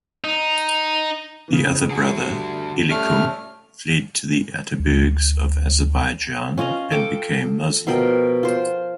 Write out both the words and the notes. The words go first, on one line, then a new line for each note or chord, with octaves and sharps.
The other brother, Elikum, fled to the Atabegs of Azerbaijan and became Muslim.
D#4
C#3 E3
D3 F#4 G#4
G2
G3 A3 C#4 F6
D2
C#4 F4 D#5 A#5
A4 G5 D6
B2 F3 A#4 G5
F4 C5